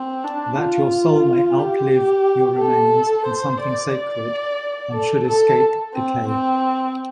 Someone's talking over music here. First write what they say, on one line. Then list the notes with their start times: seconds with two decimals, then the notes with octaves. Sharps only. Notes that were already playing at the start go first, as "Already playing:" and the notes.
That your soul may outlive your remains in something sacred and should escape decay...
Already playing: C4
0.24 D4
0.57 F4
1.59 G4
2.59 A4
3.25 C5
3.59 D5
3.93 D5
4.93 A4
5.27 A4
5.94 C4
6.27 C4